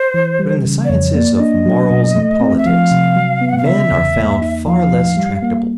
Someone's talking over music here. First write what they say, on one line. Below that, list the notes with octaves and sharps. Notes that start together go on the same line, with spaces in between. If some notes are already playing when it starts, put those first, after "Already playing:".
But in the sciences of morals and politics, men are found far less tractable.
Already playing: C5
E3
G3
C#3
D5
F2 C#5
A#3 D5
D5
D4 D#5
F#3
B2
A3
C4
E5
F3 F5
C3
F#3
B3
F#5
F5
C#3 E5
E2
A#3
D#4
F3 F5
A2
G3
A#3